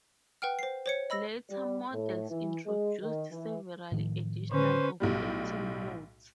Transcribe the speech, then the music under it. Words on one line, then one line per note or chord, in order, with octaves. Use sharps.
Later models introduced several additional operating modes.
B4 F#5 G5 F6
C5 C7
C5 C#5 C#7
D#5 B5 E6 A#6
G3
A2
E3
G#3
D#3
E3
A2 D#3 F3
D3 C#4 B4 C5
B1 A2 G3